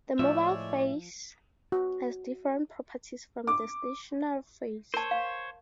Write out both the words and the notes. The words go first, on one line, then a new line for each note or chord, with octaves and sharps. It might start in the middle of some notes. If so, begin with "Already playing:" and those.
The mobile phase has different properties from the stationary phase.
A2 F3 G#3 C#5 D5 E5
F#4
D6
A#4 C5 C#5 A5
F5